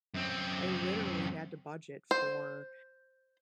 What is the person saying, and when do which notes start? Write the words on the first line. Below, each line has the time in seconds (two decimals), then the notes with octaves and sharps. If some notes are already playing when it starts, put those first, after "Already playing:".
I literally had to budget for,
0.14 F#2 C4
2.11 C5